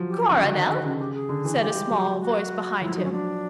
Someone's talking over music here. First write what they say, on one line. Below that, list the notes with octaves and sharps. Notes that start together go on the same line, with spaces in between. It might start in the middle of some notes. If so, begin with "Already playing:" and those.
"Coronel!" said a small voice behind him.
Already playing: F3 F#3
G4
F4
C#3
D3 F#4
D#3
D3
C#3
G4
G#4
D3
E3
G#3 G4
G3
F#3
F#4
F3 E4
F#3
D#4
F3 C#4
D4